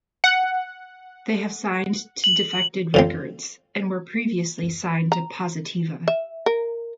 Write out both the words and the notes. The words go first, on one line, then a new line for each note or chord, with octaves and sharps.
They have signed to Defected Records, and were previously signed to Positiva.
F#5
F#7
D3 F3 C4
A#5
E5
A#4